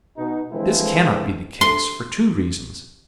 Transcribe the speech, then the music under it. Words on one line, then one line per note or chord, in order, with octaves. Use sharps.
But this cannot be the case for two reasons.
B2 D#4
D3 E3 F3 G#3 C4 E4
C6